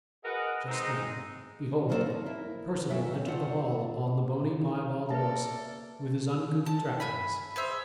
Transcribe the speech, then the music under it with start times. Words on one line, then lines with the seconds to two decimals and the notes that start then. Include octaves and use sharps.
Just then, behold, Perceval entered the hall upon the bony, piebald horse, with his uncouth trappings.
0.24 F#4 G#4 A#4 B4 D#5 F#5
0.68 G#3 C4 D#4
1.89 F#3 A#3 C4 F#4 C5 D5
2.06 F3 D#4
2.26 E4 A#4
2.90 E3 F#3 B3 F4 A4 E5
3.05 F#3
3.25 D2 A3 C4 F4 D5 F#5
5.10 A#3 A4 B4 D5 E5 A5
6.66 A5
7.00 E5 G#5 B5
7.56 G#4 C5 E5 F5